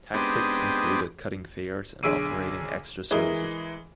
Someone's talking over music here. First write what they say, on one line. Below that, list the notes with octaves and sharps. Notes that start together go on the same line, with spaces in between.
Tactics included cutting fares and operating extra services.
G#3 B3 C4 D4 D#4 G4
B1 D3 G#4 E6 D7 D#7
E3 G#3 G#4 A#4 D#5